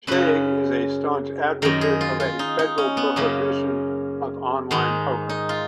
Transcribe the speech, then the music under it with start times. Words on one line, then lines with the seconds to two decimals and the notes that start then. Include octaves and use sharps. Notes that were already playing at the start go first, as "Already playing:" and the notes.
Shadegg is a staunch advocate of a federal prohibition of online poker.
0.07 F#2 C#3 B4
1.62 F#2 D#3 A#4
1.81 G#4
2.01 F4
2.20 F4
2.39 D#4
2.59 D#4
2.78 C#4
2.97 B3
3.16 F#2 C#3 A#3
4.71 G#2 D#3 G#3
5.29 D#4
5.49 F4